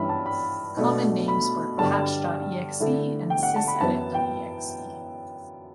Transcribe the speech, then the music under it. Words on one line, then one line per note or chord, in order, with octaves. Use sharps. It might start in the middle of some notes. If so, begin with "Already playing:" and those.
Common names were "Patch dot exe" and "SysEdit dot exe".
Already playing: G2 E3 G3 C#4 E5 B5
A5
B5
B2 A3 D4
B5
G2 D3 G3 A5
D3 A3 E4
G5
F#5
A5
B5
F#2 E3 B3 E4 A5
G5